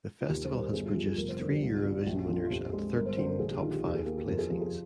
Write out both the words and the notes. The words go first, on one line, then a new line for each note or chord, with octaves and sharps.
The festival has produced three Eurovision winners and thirteen top-five placings.
F4
D#2 G4
C5
G3
A#4
G1 G#4
F4
F3 G4
G#4
F1 A#4
C5
D3 A#4
G4
C2
F4
G3 G4
F4
A#1 G4
F3 F4
F4
F2 G4
G#3
G1 A#4
C5
D3 C5
A#4
A#1 G#4
G4
D#3 F4
G4
D#2 G4
G#4
A#3 G4
G4
F2 A#4
G#4
F3 G4
G#4